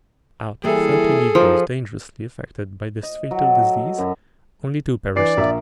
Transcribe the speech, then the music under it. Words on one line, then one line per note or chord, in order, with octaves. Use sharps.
Out of thirty negroes dangerously affected by this fatal disease, only two perished.
E3 G3 A#3 G#4 A4
F3 D#4 A#4
D#5
F#3
A4
F#2
E3 D4 D5 C7
A#1 A#4 E5